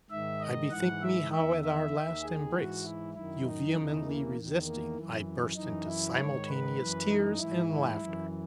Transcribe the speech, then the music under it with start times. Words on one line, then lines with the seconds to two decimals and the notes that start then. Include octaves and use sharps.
I bethink me how at our last embrace, you vehemently resisting, I burst into simultaneous tears and laughter.
0.10 G#2 D#3 E5
0.40 D#5
0.71 G#2 E3 F#5
1.01 E5
1.31 E2 D#3 E5
1.62 E5
1.92 D#2 D#3
2.23 G#4
2.53 G#2 E3 F#4
2.83 E4
3.14 F#2 D#3 E4
3.44 D#4
3.75 E2 C#3 E3
4.05 A#3
4.35 E2 D#3
4.65 A#3
4.96 F#2 E3
5.56 F#2 E3 D#4
5.87 E4
6.17 G#2 D#3 C#5
6.47 B4
6.78 F#2 E3
7.08 D#4
7.38 G#2 E3 E4
7.68 E4
7.99 F#2 E3